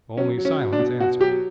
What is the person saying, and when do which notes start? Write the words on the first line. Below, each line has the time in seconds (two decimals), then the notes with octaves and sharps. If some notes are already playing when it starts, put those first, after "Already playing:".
Only silence answered.
0.17 F#3 C#4
0.38 F#3
0.45 C#4
0.59 F#3
0.72 D4
0.79 B2
1.00 B2 F#4
1.21 F#3 G4